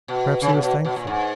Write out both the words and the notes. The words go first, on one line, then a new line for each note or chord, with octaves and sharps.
Perhaps he was thankful.
B2
C#3
B2
B2
B2
A#2
G#2